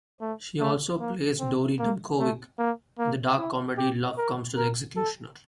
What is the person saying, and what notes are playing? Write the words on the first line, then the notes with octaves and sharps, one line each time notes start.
She also played Dori Dumchovic in the dark comedy "Love Comes to the Executioner".
A3
A3
A#3
C4
A#3
A3
A#3
A#3
E4
G4
A#4
A#4
A4